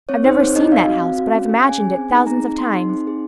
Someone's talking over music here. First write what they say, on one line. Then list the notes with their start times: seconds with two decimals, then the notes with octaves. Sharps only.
I've never seen that house, but I've imagined it thousands of times.
0.09 C4 C#5
0.24 D#4 G#4 C5
0.40 C4 C#5
0.56 D#4 G#4 D#5
0.71 C4 F5
0.87 F#4
1.02 C4
1.18 F#4
1.33 C#4
1.49 G#4
1.64 C#4 G#5
1.80 G#4
1.96 C4
2.11 D#4 G#4
2.27 C4 A#5
2.42 D#4 G#4
2.58 C4 C6
2.73 D#4 G#4
2.89 C4
3.04 D#4 G#4